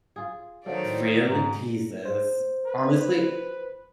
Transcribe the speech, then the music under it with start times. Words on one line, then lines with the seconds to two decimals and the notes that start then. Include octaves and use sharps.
Really? Jesus. Honestly
0.16 F4 G#4
0.66 D#3 F#3 A3 C5 D5 F5
1.28 G#2 A#5
2.06 C5
2.66 B4